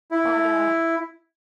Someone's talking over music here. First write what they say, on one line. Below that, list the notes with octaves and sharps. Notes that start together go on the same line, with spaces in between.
But, uh
E4